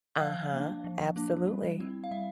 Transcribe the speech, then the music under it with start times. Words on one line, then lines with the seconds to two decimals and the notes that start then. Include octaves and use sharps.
Uh-huh, absolutely.
0.21 F3 F5
0.53 A#3 D4
0.84 F3
1.16 A#3 D4
1.48 G3
1.80 C4 E4
2.04 F5
2.11 G3 E5